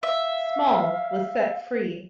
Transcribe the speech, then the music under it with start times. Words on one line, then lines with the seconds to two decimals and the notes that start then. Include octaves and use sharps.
Small was set free.
0.03 E5 F5